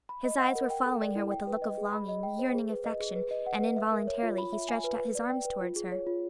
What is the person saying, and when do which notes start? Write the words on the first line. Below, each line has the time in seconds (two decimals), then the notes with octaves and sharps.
His eyes were following her with a look of longing, yearning affection, and involuntarily he stretched out his arms towards her.
0.09 B5
0.25 D#5
0.39 F#5
0.55 A#4
0.70 G5
0.86 A4
1.01 D5
1.16 E4
1.31 G5
1.47 B4
1.62 D#5
1.78 G#4
1.92 B5
2.09 D#5
2.23 G5
2.39 C5
2.54 G#4
2.70 B4
2.85 D#5
3.00 G#4
3.16 B4
3.31 D#5
3.46 F#5
3.61 B4
3.77 E5
3.92 A#4
4.07 C#5
4.23 F4
4.38 B5
4.53 E5
4.69 G#5
4.84 B4
4.99 B4
5.15 D5
5.30 G5
5.45 B4
5.61 F4
5.76 G#4
5.92 C#5
6.07 F4